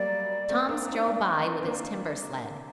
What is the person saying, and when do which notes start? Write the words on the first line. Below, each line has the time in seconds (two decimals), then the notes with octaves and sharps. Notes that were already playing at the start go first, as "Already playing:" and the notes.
Tom strode by with his timber sled.
Already playing: F#3 G3 A3 A#3 D5
0.49 A3 C4
0.69 A#3 D4
0.88 C4 D#4
1.08 A#3 D4
1.61 C4
1.66 A#3 D4